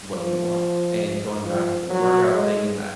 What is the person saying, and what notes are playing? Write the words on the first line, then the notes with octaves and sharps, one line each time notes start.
what you want, and going back to the workout thing, and that
F3
F3
F#3
G#3